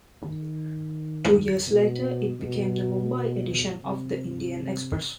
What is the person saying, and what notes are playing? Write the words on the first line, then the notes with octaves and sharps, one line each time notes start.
Two years later it became the Mumbai edition of "The Indian Express".
D#3
B2
B2
C3